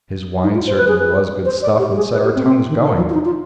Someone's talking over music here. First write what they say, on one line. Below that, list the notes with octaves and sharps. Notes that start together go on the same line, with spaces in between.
His wine certainly was good stuff, and set our tongues going....
D#4
F4
C5
B4
G#4
B4
C5
D5
G4
G4
G#4
B4
G4
C4
B3
C4
D#3
D#3
F3
F4
D#4
F4